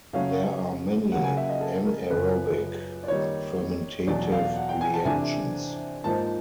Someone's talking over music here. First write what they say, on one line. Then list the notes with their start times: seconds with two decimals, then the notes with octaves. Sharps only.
There are many anaerobic fermentative reactions.
0.13 C#3 F#3 A3 C#4 F5
1.12 C#3 F#3 A#3 F#5
1.24 G#5
1.37 E5
1.49 D#5
1.61 A4
1.86 A#4
2.10 F#2 C#3 F3 B4
3.04 D5
3.08 D#3 G3 A#3 D#4 C#5
4.07 E2 B2 F#3 D5
4.32 F5
4.56 F#5
4.69 G5
4.81 G#5
4.94 A5
5.05 C3 E3 A3 D4 G#5
6.04 G#2 F3 A#3 D#4 A5